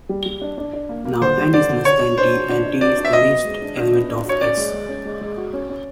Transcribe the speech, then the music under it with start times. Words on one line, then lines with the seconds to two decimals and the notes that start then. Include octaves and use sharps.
Now "n" is less than "t", and "t" is the least element of "S".
0.09 G3
0.26 G3
0.41 D4
0.58 D4
0.73 D4
0.89 A#3
1.05 A#3
1.22 D3 C5
1.37 G3
1.53 D3 D5
1.69 D3
1.85 D4 C#5
2.01 F#4
2.18 D4 C5
2.33 F#4
2.49 D4
2.66 D4
2.81 F#4 D5
2.97 D4
3.05 E5
3.13 B3 D#5
3.29 F#4
3.45 G#3
3.62 D4
3.77 D4
3.93 B3
4.09 D4
4.26 F#4 C#5
4.41 C#4 D5
4.57 G#3
4.73 G#3
4.89 C#4
5.05 G#3
5.21 G#3
5.37 F#4
5.53 C#4
5.69 C#4